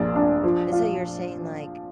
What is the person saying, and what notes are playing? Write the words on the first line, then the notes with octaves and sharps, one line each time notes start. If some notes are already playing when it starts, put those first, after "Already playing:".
And so you're saying, like
Already playing: A#1 A#2 D4
D4
F3
F4